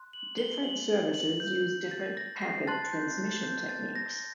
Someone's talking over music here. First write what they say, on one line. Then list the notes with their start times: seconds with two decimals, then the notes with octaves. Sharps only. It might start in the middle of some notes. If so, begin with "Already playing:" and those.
Different services use different packet transmission techniques.
Already playing: C6 F#6
0.13 F#7
0.38 G7
0.64 F#7
1.14 F#7
1.40 G6
1.91 A6
2.17 A#6
2.41 C7
2.67 A5 C6 F#6 A6
2.93 G6
3.18 A6
3.43 G6
3.69 A6
3.95 A#6